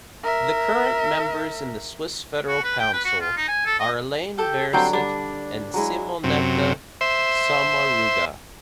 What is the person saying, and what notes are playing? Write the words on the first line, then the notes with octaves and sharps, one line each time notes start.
The current members in the Swiss Federal Council are: Alain Berset and Simonetta Sommaruga.
A#4 E5
F#4
B4
G5
B4
F#4
F4
D#4
G#5
A4
D#5
G4 A4 G5
D3 F#3 G3 C4 G5 C6
G3 D4
F#3 G#3 E4
F#2 C3
C5 E5